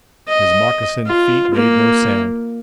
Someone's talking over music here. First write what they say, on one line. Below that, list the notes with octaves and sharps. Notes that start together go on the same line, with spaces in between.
His moccasined feet made no sound.
D#5
F4
A#3